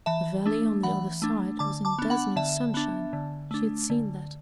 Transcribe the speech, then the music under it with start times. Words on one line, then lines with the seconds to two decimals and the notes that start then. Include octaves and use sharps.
The valley on the other side was in dazzling sunshine--she had seen that.
0.06 E3 E5 A5
0.46 A3 D4
0.83 E3 F#5 B5
1.22 A3 D4
1.59 D3 A5 D6
1.85 A5 D6
1.99 B3 D4
2.10 F#5 B5
2.36 D3 E5 A5
2.74 B3 D4
3.13 D3
3.51 A3 D4
3.90 D3